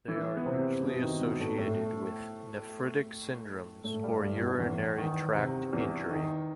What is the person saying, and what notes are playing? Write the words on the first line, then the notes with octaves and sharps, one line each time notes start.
They are usually associated with nephritic syndromes or urinary tract injury.
E3 E4
B3
C3 C4
B2 B3
D#3 D#4
B2 B3
A2 A3
A2 A3
A2 A3
G2 G3
G2 G3
E2 E3
E2 E3
D#3
C3
E2 E3
D#3 D#4